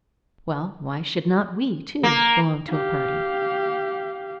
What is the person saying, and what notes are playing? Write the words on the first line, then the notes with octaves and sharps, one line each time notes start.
Well, why should not we, too, belong to a party?
A#3
G4 F5